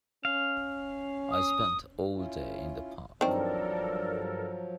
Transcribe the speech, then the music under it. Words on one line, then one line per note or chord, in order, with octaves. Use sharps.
I spent all day in the park.
C#4 F5
D#6
C#4 E4 F4
G2 D#3 F3 F#3 C4 D4 A4 A#4